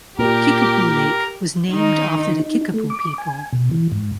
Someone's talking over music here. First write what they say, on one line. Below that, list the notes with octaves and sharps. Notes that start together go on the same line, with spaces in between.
Kickapoo Lake was named after the Kickapoo people.
A#2 G4 A#4
D#3 D#4
D#4
A3
D6
G#5
B2
E3
G#2